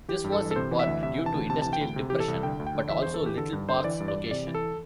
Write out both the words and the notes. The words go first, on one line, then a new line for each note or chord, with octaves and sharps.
This was in part due to industrial depression but also Little Park's location.
E3 G4
G2
A4
E3
A4
C3 C5
E3
E5
D2
C3 E5
E3
A5
D2
C3 A5
E3 A5
G5
D2
C3
E3 G4
A4
C2
D3 G5
D2
G5
D3
E3 E5
E2 C5
A4
E3 G4
D3 A4
G2
D3 C5
E3 D5
G2
D5
E3
C3 D5
E3
A4